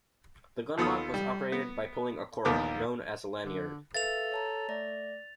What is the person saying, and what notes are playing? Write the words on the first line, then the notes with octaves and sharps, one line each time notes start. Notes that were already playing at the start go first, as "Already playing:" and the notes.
The gunlock was operated by pulling a cord, known as a lanyard.
D#2 B3 F4 A4 B5 D#6
G3
B3
A#1 D#2 B3 A#4 D6
D3
A4 B4 E5 F5 A6 F7
C#5 A5 A#5
A3 D5 A#6